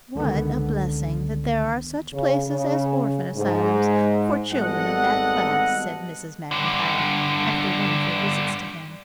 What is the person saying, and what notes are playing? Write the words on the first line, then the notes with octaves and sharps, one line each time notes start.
"What a blessing that there are such places as orphan asylums for children of that class," said Mrs. Maclntyre, after one of her visits to him.
C#2 D3 D#3 B3
C#3
C#3
G#2
G#1 G3 B3 A4 D#5 F#5
G2 D3